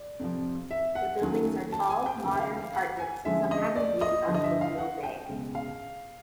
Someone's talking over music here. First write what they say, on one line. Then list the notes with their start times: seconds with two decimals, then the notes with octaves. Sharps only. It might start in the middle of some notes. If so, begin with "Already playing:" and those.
The buildings are tall, modern apartments, some having views on Tokyo Bay.
Already playing: D5
0.20 F2 C3 F3
0.71 E5
0.95 F#5
1.21 D#2 D#3 F#3 A3 C#4
1.72 A5
1.89 G#5
2.06 G5
2.23 D#2 C#3 F#3
2.32 E5
2.40 F5
2.57 F5
2.74 F#5
2.99 G#5
3.25 F2 D3 F3 G#3 C#4 E5
3.51 D#5
3.76 D5
4.01 D#5
4.27 G2 D3 F3
4.34 D#5
4.44 E5
4.61 F5
4.78 F#5
5.03 G5
5.29 C#2 B2 G#3
5.55 F5